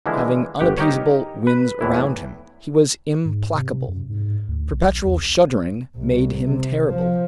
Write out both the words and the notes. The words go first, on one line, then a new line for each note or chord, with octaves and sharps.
Having unappeasable winds around him, he was implacable. Perpetual shuddering made him terrible.
D3 E3 F3 G#3 A#3 E4
G1 G4 F#5
D#4 G4 A#4 C#5
B4
E2 A2 E3 E4
G#2
C3
F#2
G#2
D2
B1
E2
C2
C3
F3